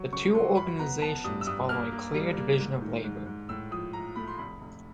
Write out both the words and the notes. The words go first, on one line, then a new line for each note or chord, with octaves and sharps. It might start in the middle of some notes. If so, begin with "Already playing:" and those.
The two organizations follow a clear division of labor.
Already playing: F#3 C#6
C#3 C#6
F#3 C6
F#2 B5
B3 A#5
B3 A5
G2 D#6
E6
G2 D#6
A#3 F6
A#3
G3
A#3
G#2
D#3
G#2
G#2
A2 E6
F3 D#6
F3 A#5
A3 B5
C6
F1 B5
F1